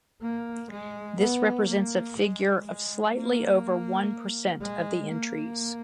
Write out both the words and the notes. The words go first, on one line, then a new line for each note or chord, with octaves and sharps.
This represents a figure of slightly over one percent of the entries.
A#3
G#3
B3
A#3
G#3
G#3
A#3
G#3
A#3